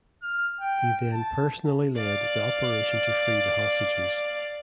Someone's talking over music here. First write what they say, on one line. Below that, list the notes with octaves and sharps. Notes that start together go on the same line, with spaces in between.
He then personally led the operation to free the hostages.
F6
G5
A5
D5 F5